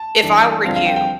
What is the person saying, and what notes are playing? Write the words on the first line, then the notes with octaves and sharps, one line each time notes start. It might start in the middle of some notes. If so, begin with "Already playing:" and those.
if I were you,
Already playing: A5
G2 E3 G3 D4
G2 D3 F3 C4 F5
F5
G5
G5